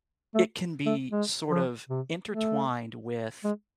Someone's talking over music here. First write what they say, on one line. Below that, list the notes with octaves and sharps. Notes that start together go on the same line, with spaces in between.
it can be sort of intertwined with
A3
A3
G#3
F3
C3
A3
G#3